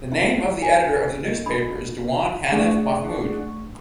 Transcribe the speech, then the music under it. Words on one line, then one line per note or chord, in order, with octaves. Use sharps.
The name of the editor of the newspaper is Dewan Hanif Mahmud.
D#4 E4 E5
G#5
D#5
D4 A4 B5
A3 D4 G#4 D5 F#5 C#6